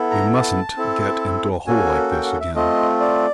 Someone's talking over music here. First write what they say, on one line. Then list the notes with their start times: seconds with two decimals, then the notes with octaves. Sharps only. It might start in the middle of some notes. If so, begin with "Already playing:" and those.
We mustn't get into a hole like this again.
Already playing: B3 E4 A4
0.11 A#5
0.33 A5
0.77 C4 E4 A4
1.67 A#3 C#4 F#4 A4 G#5
2.11 G5
2.25 F#5
2.40 E5
2.55 A3 C4 F4 D#5
3.00 D5